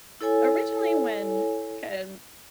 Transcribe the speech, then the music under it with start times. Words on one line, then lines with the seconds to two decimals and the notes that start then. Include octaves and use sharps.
originally when, kind of,
0.21 E4 A4 C#5 G#5